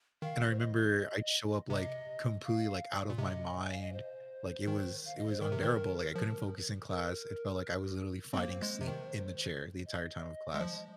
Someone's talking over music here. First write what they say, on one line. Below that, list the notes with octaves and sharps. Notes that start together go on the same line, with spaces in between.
and I remember, I'd show up, like, completely, like, out of my mind, like, it was it was unbearable, like, I couldn't focus in class, it felt like I was literally fighting sleep in the chair the entire time of class.
D#3 F5
C5
D#5
C3 D#5
F5
A#2
C3 D#5
G#5
F5
D#5
C5
D#3
F5
D#5
C5
D#3 A#4
C3
D#3
F3
A#4
C4
A#3 C5
G#3
C3
D#3
D#5
G#3
F3